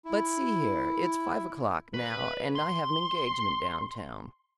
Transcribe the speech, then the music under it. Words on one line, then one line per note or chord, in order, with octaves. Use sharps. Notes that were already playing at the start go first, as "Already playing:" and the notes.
"But see here, it's five o'clock now and I have an engagement down town."
E4
B4
C6